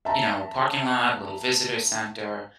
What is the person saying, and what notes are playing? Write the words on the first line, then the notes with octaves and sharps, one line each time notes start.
you know, parking lot, little visitor center,
E5 A5 A#5